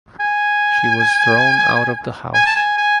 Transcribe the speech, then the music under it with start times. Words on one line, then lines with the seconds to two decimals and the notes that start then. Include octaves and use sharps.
She was thrown out of the house.
0.20 G#5
2.34 G#5
2.46 A5
2.56 G#5
2.78 G#5